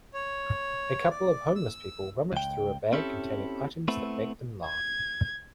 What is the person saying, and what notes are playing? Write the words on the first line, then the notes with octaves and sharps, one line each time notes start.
A couple of homeless people rummage through a bag containing items that make them laugh.
C#5
D5
E6
C#2 G5
C4 C#4 E4 G4 A4
A3 B3 C4 E4
G#6